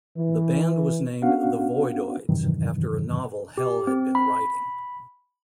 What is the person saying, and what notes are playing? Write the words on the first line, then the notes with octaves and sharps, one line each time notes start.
The band was named "the Voidoids" after a novel Hell had been writing.
E3
B3 C#4 D4 F#4 F5 F#5
E2 G2 C3 D#3 E3 F#3
G4
C4
B5